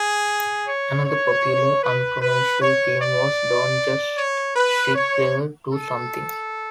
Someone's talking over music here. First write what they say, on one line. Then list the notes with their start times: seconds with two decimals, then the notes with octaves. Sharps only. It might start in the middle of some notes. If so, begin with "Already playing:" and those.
Another popular uncommercial theme was Don't Just Sit There-Do Something!
Already playing: G#4
0.66 C#5
1.04 C#5
1.83 B4
2.22 B4
2.61 C#5
3.00 D5
4.17 C#5
4.56 B4
4.95 C#5
5.73 A4